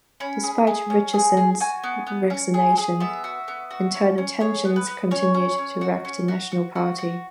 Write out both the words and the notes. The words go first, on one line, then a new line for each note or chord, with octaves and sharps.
Despite Richardson's resignation, internal tensions continued to wrack the National Party.
C#4 B5
G#4
G#4
C#4
G#4
G#4
F#4 G#5
B3
B3
C#4
G#4
G#4
B3 E5
F#4
B3
F#4
C#4
C#4
G#4 C#5
B3
B4
B3
C#4 C#5
C#4
C#4
F#4
C#4
F#4
F#4
F#4
F#4